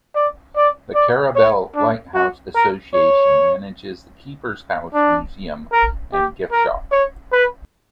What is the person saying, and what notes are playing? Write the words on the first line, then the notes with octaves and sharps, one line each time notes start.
The Carrabelle Lighthouse Association manages the Keeper's House Museum and gift shop.
D5
D5
D5
C#5
D4
F#4
A#4
C#5
D4
A#4
G4
A#4
C#5
B4